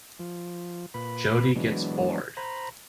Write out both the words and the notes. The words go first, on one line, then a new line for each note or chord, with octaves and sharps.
Jody gets bored.
F3
A#2 B4 B5
E3 F#3 G#3 B3 D4
C5 A#5 B5